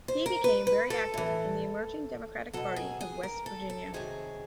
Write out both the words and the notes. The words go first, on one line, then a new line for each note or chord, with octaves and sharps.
He became very active in the emerging Democratic Party of West Virginia.
C5
A#4
B4
B4
A4
A2 E3
B2 F#3 A4
G#4
G#4
A#4
A4
A4
C3 D#3 F#3 G#4